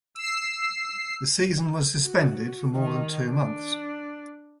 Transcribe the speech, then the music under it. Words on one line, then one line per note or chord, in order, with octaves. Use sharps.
The season was suspended for more than two months.
E6 C7
F#4
D#3
D4